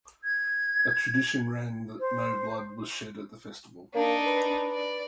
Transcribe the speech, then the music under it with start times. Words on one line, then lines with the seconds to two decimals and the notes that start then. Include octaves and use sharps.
A tradition ran that no blood was shed at the festival.
0.24 G#6
2.00 C5
3.95 A#3 D4 D#4
4.26 B4
4.73 D5